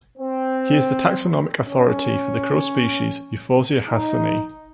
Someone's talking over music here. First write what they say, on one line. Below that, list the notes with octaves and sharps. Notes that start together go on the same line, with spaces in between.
He is the taxonomic authority for the krill species "Euphausia hanseni".
C4
C#4
D#4